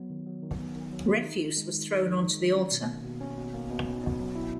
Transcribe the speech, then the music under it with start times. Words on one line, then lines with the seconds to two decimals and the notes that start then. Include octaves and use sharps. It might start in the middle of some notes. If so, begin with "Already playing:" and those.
Refuse was thrown onto the altar.
Already playing: F#3 B3
0.10 D#3
0.26 F#3
0.43 D#3
0.59 B3
0.76 D#3
0.92 F#3
1.08 D#3
1.25 D#4
1.41 D#3
1.57 G#3
1.74 D#3
1.90 D#4
2.06 D#3
2.22 G#3
2.40 D#3
2.55 C#4
2.72 B2
2.88 A#3
3.05 B2
3.21 C#4
3.37 B2
3.54 A#3
3.70 B2
3.86 C#4
4.03 B2
4.20 F#3
4.35 E4